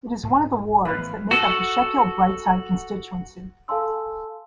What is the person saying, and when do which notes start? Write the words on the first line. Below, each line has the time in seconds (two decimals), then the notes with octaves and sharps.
It is one of the wards that make up the Sheffield Brightside constituency.
0.23 G#2
0.85 A1 E3 B3 B4 F5
1.31 F#4 A4
3.68 A4 F5 G#5 A5 C6 E6